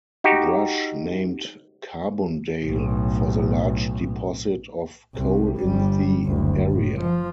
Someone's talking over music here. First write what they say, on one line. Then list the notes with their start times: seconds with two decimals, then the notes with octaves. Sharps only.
Brush named Carbondale for the large deposit of coal in the area.
0.24 D#4 F#4 G4
2.65 B1 A2
5.14 C2 C3
5.59 G1 G3
6.25 F#1 D2
6.70 A2
7.00 F3